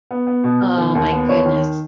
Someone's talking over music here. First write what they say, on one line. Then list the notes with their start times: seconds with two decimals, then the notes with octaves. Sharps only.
Oh my goodness.
0.11 B3
0.27 B3
0.44 B2
0.61 B2
0.78 D#3
0.95 D#2
1.12 B3
1.29 D#2 C#5
1.45 D#3